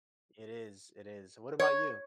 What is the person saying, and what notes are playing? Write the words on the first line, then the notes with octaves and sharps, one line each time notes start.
It is, it is. What about you?
C#5